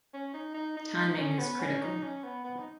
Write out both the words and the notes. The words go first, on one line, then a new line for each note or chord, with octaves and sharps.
Timing is critical.
C#4
D#4
D#4
D#4
D#4
D#4
C#4
B3
C#4
D#4
C#4
B3
B3
D#4